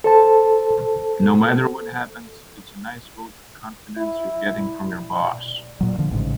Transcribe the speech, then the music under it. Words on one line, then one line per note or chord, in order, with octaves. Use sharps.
No matter what happens, it's a nice vote of confidence you're getting from your boss.
A4 C5 A5
E4
A#2 F#3
D3 F3
A1 G#2 C#3